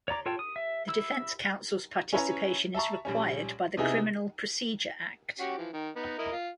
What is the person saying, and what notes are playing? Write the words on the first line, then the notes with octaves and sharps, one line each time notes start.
The defence counsel's participation is required by the Criminal Procedure Act.
C#5 D5 A#5 D6
F4 A4 C#5 G5 A5
D#6
E5
E4 E6
C#4 E4 B4 C#5 E5 A#5
E5 A5 A#5 C#6
A#1 G3 C#4
C3 B3 D#4 E4 G#4
C#4 F#4 G4
E3 F3
D#3
B3 D#4
E4 A#4 D#5
F4